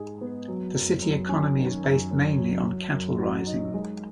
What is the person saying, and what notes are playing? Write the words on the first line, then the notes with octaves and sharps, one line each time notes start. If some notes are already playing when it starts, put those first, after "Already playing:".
The city economy is based mainly on cattle rising.
Already playing: G#2 G#3 G#4
B3
F#3
F#2
F#2
C#4
D#3
F#2
F#2
F#3
F#3
F#2
F#4
D#4
G#3